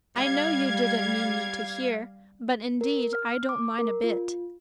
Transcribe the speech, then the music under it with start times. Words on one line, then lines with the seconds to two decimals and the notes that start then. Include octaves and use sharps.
I know you didn't mean me to hear, but indeed I don't mind a bit.
0.15 G3 F5 G#6
2.81 A#4
3.13 F6
3.49 D6
3.79 A#4
4.04 F4